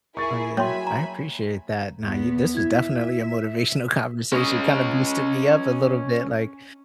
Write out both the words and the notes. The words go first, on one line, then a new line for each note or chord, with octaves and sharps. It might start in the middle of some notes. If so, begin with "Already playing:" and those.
Oh, yeah, I appreciate that. Now you this was definitely a motivational conversation, kind of boosted me up a little bit, like,
E4 G#4 A#4 C#6 A6
F#3 A#3 C#5 E5 G5 G#5 B5 C6
A#5
E2 B3
E4 E5 G#6
C#4 D#5